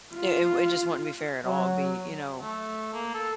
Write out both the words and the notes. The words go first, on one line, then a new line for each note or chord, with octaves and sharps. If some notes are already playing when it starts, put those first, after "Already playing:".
It it w it just wouldn't be fair at all. It'd be, you know,
F4
F#3
A3
A#3
A4